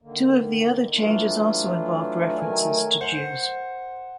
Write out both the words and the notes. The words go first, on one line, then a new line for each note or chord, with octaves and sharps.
Two of the other changes also involved references to Jews.
D3 D#3 A#3
E3 F#3 A3 D4 F4
D#3 F#3 A3 A#4 G#5
C5 F#5